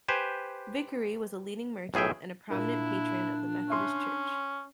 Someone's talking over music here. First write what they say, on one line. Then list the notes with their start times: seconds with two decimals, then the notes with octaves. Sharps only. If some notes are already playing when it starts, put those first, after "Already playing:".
Vickery was a leading merchant and a prominent patron of the Methodist Church.
0.08 G4 B4 C5 G#5
1.94 B1 A2 G#4 E5 G5
2.50 A#2 A#3 D4 E4
3.70 C#4 E5 C6